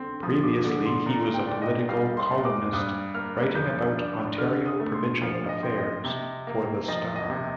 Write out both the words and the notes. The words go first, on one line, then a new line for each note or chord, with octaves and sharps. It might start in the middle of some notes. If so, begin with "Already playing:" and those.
Previously, he was a political columnist, writing about Ontario provincial affairs for the Star.
Already playing: D3 C4
F3 D#6
D6
D3 D6
C6
A#2 A#5
G5
D4
D#5
G3 F5
C6
A#2
D6
G2 D#6
A#3 F6
F3 G6
D4
D3 F6
D#6
A3
C6
F3 F5
D#5
C4
D#5
C3
A#3
F3 D#5
D#5
C3